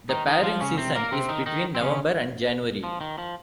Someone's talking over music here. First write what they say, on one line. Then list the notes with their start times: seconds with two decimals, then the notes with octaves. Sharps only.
The pairing season is between November and January.
0.09 D#3 D#4
0.27 D#3 D#4
0.43 F3 F4
0.60 C#3 C#4
0.78 C3 C4
0.95 A#3 A#4
1.12 C3 C4
1.29 D#3 D#4
1.46 D#3 D#4
1.75 C4
1.81 C#3 C#4
2.84 F3
3.01 D#3
3.18 F3